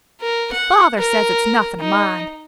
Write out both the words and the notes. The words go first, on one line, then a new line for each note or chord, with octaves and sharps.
But father says it's nothing to mind.
A#4
F#5
A#4
D#4